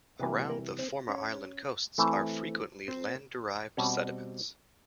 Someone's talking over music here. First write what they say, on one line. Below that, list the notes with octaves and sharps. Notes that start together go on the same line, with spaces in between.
Around the former island coasts are frequently, land-derived sediments.
C3 E3 G3 A#3 B3 B4
A#3 A#4
C4 C5
C#4 C#5
E3 A3 C4
C4 C5
B2 G3 C4 C#4 C#5